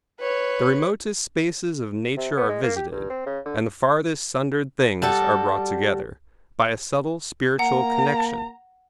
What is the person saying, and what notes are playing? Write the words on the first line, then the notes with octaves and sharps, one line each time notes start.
The remotest spaces of nature are visited, and the farthest sundered things are brought together, by a subtle spiritual connection.
B4 C#5
C3
B3
G#3
A#3
G4
G2
C4
C#3
D3
G3 F#4 A4
A#3 F#5 A#5